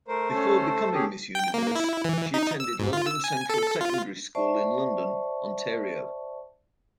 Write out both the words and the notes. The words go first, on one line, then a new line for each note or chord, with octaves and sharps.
Before becoming Miss Universe, she attended London Central Secondary School in London, Ontario.
A3 A#4 C5
C#4 A4
C#4 G4 G#4
G5
A#3
E4
E3
D#4
E6
G#2
F4
E6
G#5
A4
F4
C5 D5 E5 A5 C#6